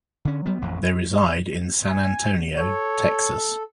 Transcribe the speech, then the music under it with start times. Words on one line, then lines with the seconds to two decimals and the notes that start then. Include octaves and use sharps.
They reside in San Antonio, Texas.
0.25 D3 C#4
0.46 F#3 G3 B3
0.62 A1 F2 E3
1.91 G#5
2.58 A4 C#5